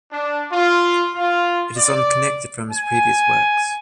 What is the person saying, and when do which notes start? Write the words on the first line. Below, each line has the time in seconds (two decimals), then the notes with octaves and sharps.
It is unconnected from his previous works.
0.12 D4
0.51 F4
1.14 F4
1.77 D5
2.71 G#5